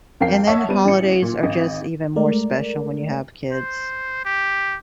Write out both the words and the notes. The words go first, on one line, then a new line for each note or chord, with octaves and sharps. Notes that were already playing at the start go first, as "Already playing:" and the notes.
and then holidays are just even more special when you have kids.
F2 A#4 F5 G5 C7
C#5 D#5 E5 F#5 A5 C#6
G3 B3 D#7
A1 C#7
A#2
G#1 D#5
G#3 A3 A#4 D5
C5
G4